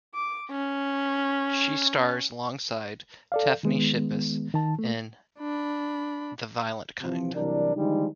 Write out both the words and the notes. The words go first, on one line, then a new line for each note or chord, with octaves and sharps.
She stars alongside Tiffany Shepis in "The Violent Kind".
D6
C#4
A4 D5 F5
D#3 G#3 B3
D#3 A5
A3
D4 B5
C3 E3 F3
C2 E3 F#3 D4 A#4 D5
D3 D#3 F3 G3 G#3 D#4